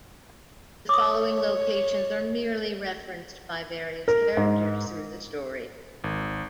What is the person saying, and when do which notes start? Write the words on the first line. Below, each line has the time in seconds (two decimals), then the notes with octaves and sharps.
The following locations are merely referenced by various characters through the story.
0.89 C#5 D6 D#6
4.08 A#4
4.37 G#2
6.04 G#1